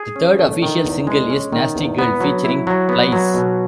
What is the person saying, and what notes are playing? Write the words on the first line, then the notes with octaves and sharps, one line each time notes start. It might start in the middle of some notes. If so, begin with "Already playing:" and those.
The third official single is "Nasty Girl", featuring Plies.
Already playing: G#4
C#4
A3
D#3
E2
G#3
C#4
D#3
E2
B3
F#3
E4
F#3
B3
F#3
B2